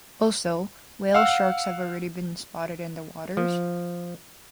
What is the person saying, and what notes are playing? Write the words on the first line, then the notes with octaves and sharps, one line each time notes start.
Also whale sharks have already been spotted in the waters.
F5 F#5 E6
F3